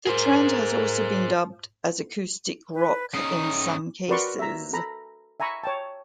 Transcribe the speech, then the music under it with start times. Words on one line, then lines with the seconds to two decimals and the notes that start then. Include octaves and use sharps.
The trend has also been dubbed as "acoustic rock" in some cases.
0.07 G#4 A#4 C5
2.74 B4
3.14 C#3 D#4 D#6
4.08 F#4 A#4 B4 D5 C6 C#6
4.39 E5 A#5
4.73 A4 A#5 B5
5.40 E5 G#5 A#5 B5 C#6
5.64 C#5 G5 A5